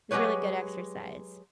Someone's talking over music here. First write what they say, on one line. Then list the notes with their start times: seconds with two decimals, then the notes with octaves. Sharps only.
Really good exercise.
0.11 F#3 G#3 E4 G4 B4 C#5